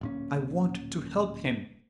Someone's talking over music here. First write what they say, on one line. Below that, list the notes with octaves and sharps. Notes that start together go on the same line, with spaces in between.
I want to help him.
D1 A#2 C#4